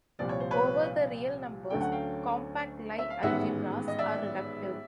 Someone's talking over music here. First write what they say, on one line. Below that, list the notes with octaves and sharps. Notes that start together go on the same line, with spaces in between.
Over the real numbers, compact Lie algebras are reductive.
C2 A#2 F3 D5
C#5
C5
B4 C#5
D2 D3 F#3 A3 C#4 G5
F#5
F5 G5
E5
F5
A1 G#2 D#3 G#3 B3 E5 F#5
D#5
D5 E5